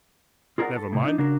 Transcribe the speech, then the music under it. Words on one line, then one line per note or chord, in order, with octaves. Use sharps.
Never mind.
F4 G#4 A#4 C5 D5 F#5
A4
A2 C3
D4 D#4
C#3 D4 F#4 A#4